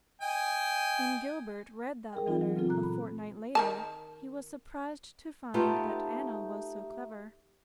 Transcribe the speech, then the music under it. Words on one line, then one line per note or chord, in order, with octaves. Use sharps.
When Gilbert read that letter a fortnight later he was surprised to find that Anna was so clever.
D#5 G5 G#5
G#4 A#4 G5
E3 F#3 C4 D#4 F4
F#3
C#3 B3 C4 F4 A4
A#2 A#5 F#6
B5
D#3 A#4 A5
A3 B3 D#4 F4 G4 A4